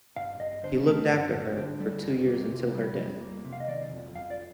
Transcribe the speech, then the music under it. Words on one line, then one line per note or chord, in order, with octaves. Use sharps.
He looked after her for two years until her death.
G2 F5
G2 D#5
D3 C5
A3 A#4
G2
G2 A4
D3 G4
G3 A4
F2
A#3
C3
G3
F2
A#3
C3
F5
D#5
D#3 D5
F2
F2 F5
D5